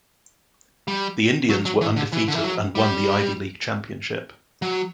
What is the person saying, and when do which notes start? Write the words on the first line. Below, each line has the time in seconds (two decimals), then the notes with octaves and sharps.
The Indians were undefeated and won the Ivy League championship.
0.88 G3
1.50 F#3
1.65 F#3
1.81 E3
1.96 D3
2.13 E3
2.28 D3
2.35 E3
2.44 F#3
2.75 G3
4.62 F#3